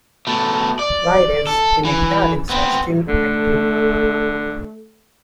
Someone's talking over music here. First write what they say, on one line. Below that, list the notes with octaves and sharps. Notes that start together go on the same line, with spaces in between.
Riders in italics are still active.
B2 A3
D5
A4
E3
B3 C4
D3 A3